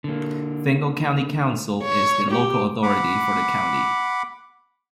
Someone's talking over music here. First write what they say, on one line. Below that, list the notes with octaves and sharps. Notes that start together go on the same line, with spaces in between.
Fingal County council is the local authority for the county.
D3 A#3
C#5
G4
F#5 B5 D6